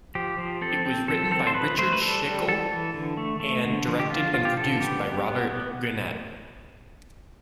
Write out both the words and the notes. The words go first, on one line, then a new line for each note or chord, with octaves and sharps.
It was written by Richard Schickel and directed and produced by Robert Guenette.
F3 G4
F3
C4 A4
C4
F3 A4
C4 A4
C5
F3 B4
A3 C5
B4
G3 A4
G3
E3 A4
E3
D3
A3
A3
D3
F3
G4
D3 F4
F3 F4
G4
D3 A4
B3 G4
B3
B3
B3